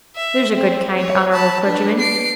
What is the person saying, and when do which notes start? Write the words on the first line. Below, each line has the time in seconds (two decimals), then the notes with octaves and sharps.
There's a good, kind, honourable clergyman.'
0.16 E5
0.54 C4
0.98 C#5
1.32 A5 B5
1.64 D4 B4
1.99 C7 D7